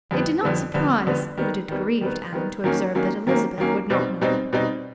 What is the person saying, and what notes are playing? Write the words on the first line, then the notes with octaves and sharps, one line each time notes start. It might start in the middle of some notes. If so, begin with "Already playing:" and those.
It did not surprise, but it grieved Anne to observe that Elizabeth would not know him.
F2 D3 G3 B3
F2 D3 G3 B3
F2 D3 G3 B3
F2 D3 G3 B3
D#3 G3 B3
D#3 G3 B3
D#3 G3 B3
D#3 G3 B3
D#3 F#3 A#3 C#4
D#3 F#3 A#3 C#4
D#3 F#3 A#3 C#4
D#3 F#3 A#3 C#4
B2 G3 C4 D#4
B2 G3 C4 D#4
B2 G3 C4 D#4